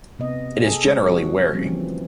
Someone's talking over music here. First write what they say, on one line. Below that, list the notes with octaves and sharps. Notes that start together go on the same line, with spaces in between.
It is generally wary.
C3 B3 D#5
G#4 A4
G#3
F3 C4 F#4
F3 G3 A#3 C4 C#4
D3 E3 F3